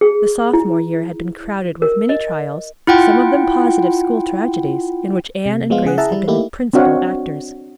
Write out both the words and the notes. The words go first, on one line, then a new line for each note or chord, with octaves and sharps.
The sophomore year had been crowded with many trials, some of them positive school tragedies, in which Anne and Grace had been the principal actors.
G#4
E4
A#4
D#5
E4 F4 F#5 G5
C3
F3 G#3 B3 F4
C#3 G#4 F#5
E4 G#4 E5 F#5 A5 A#5
G3 E4
A3 A#3 D#4 E4 G4
C4 D4 F#4 C#5 F5 F#5